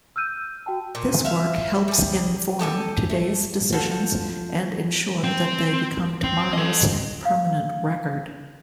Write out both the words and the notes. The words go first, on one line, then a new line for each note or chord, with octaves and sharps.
This work helps inform today's decisions and ensure that they become tomorrow's permanent record.
E6 F6 G6 D#7
F#4 G5 A5
A#2
E5 F5
G3 G#4
G4 A4 D#5 G#5
A3
F3 F#4 A4
C4
C4
A4 D#5
F5